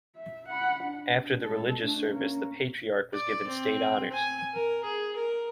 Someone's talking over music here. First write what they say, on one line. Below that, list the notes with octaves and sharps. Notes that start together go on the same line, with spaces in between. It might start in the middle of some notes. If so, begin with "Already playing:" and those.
After the religious service, the Patriarch was given state honors.
E5
F#5 B5
D4
G#3 A4
A3 D4
A#3 C#4
D5
C4
G#5
A#4
G#4
A#4